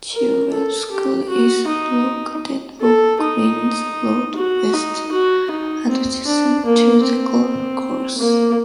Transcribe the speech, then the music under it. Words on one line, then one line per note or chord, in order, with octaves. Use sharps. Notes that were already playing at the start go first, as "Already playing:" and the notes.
Chilwell School is located off Queens Road West adjacent to the golf course.
A#4
A4
G4
F#4
D#4
A4
D#4
F#4
D#4
F#4
D#4
C4
D4
A#3
C4
A#3